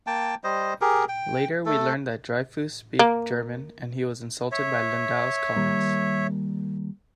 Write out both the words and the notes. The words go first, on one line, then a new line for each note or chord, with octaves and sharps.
Later we learn that Dryfoos speaks German, and he was insulted by Lindau's comments.
A#3 G5 A5
G3 C5 D#5
G4 G#4 A#4
G5
A3 A4
A#3
C#5 E5
D#3 G3 A#3